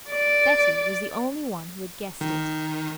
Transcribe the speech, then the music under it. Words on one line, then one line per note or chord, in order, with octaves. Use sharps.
Betty was the only one who had guessed it.
D5
D#3